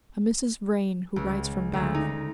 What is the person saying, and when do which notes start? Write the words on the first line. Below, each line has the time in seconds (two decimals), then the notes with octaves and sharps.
"A Mrs. Vrain, who writes from Bath."
1.16 C#2
1.73 D2
1.95 D#4